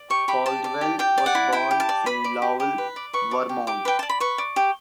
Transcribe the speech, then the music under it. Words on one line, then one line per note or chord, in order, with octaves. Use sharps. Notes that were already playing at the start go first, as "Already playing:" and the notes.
Caldwell was born in Lowell, Vermont.
Already playing: D5
G4 C#6
G4 B5
D5 A5
D5
G4
G4 G5
D5
F#5
E4
E4 G5
G4
A5
D5
B4 B5
D5
G4
G4
B4
D5
B4 C#6
D5
G4
G4 D6
B4 G5
D5 A5
B5
B4 C#6
D5
G4